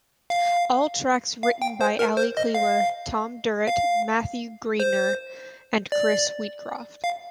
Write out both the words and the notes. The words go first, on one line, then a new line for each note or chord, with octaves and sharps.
All tracks written by Ali Clewer, Tom Derrett, Matthew Greener and Chris Wheatcroft.
F5
F5
G5
C5
A#4
C5
D#5
F5
F5
C5
D5
F5